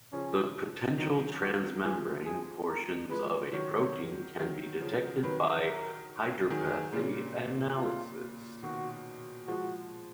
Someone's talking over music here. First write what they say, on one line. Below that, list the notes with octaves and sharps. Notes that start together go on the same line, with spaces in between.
The potential transmembrane portions of a protein can be detected by hydropathy analysis.
C#3 F3 C#4
D#3 F#3 D#4
F#4
F3 G#3 G#4
G#4
A#4
F3 G#3 B4
D#3 F#3 C#5
D#3 F#3
C#3 F3
D#3 F#3 B4
A#4
D#3 F#3 G#4
A#2 C#3
F4
B2 D#3 F#4
F3 G#3 F#4